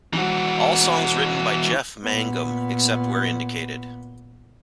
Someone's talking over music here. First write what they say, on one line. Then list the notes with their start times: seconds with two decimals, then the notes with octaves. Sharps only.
All songs written by Jeff Mangum, except where indicated.
0.13 E3 F#4
2.04 A#2 B3